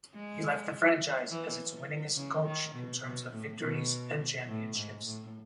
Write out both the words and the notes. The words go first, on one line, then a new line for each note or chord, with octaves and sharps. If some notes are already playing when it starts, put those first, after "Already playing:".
He left the franchise as its winningest coach in terms of victories and championships.
G#3
E3
C#3
D#3
B2
B2
A2
B2
A2
G#2
A2